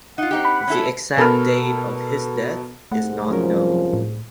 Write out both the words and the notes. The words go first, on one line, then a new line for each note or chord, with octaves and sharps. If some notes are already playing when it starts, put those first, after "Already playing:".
The exact date of his death is not known.
D#4 F4 F#5
C4 D#4 G4
B5
C#4 E4 A4
B2 A4 A#4 B5 F6
C2 G#2 A3 F#5
F3 F#3 C#4 A#4
A2